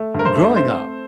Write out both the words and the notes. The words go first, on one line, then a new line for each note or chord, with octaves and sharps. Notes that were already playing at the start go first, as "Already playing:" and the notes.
growing up
Already playing: A3
G2
A#4
C5
A3
C4 C5
A3